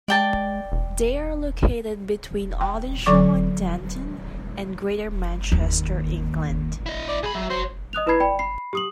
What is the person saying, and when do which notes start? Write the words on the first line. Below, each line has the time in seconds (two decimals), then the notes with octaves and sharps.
They are located between Audenshaw and Denton, in Greater Manchester, England.
0.08 G#3 D5 G5 A5
0.72 E1
2.61 G5
3.06 D3 F#3 D5 C#6 D6
5.52 D#2
6.86 E4 D#5
7.09 D5
7.23 B1 G#4 B5
7.35 F#3 E5
7.50 F#4 C5 C#5
7.93 D#5 D#6 F#6 F7
8.06 E4 B4 A5 B5 G#6 C7
8.20 D5 G5 B5
8.39 B5 C7
8.73 G4 D#6 F#7